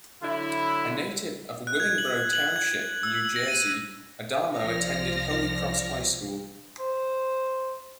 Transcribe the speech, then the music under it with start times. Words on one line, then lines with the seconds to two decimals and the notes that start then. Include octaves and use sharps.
A native of Willingboro Township, New Jersey, Adamo attended Holy Cross High School.
0.22 D3 F#3 E4
1.67 F#6
1.80 G#6
1.98 F#7
2.33 F#7
2.56 G#6
3.03 E6
3.36 A#6
3.48 D#7
4.58 C2 F3 D5 F6 A#6
6.79 C5